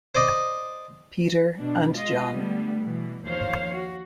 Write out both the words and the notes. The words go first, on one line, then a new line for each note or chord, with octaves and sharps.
Peter and John.
C5 D5 D#5 D6
B2 D4
G#3 F4 D#5
D3 G3 A3 B3
B2 E3
D#2 F3 C5 C#5 F5
F#4